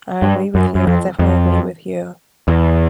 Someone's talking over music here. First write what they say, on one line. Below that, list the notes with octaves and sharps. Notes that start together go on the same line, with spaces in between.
I agree with you, I definitely agree with you.
G2
F#2
F#2
F2
F2
E2